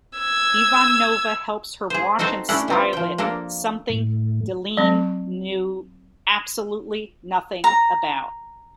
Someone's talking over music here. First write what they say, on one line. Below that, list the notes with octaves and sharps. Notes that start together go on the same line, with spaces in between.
Ivanova helps her wash and style it, something Delenn knows absolutely nothing about.
E6 G#6
G#4 C5
C4 D#4 F#4 A4 C5
A3 C#4 D4 E4 F#5
B3 C4 F4
F3 G5
A#3 D4 A4 A#4
A2
F#3 C4
A#5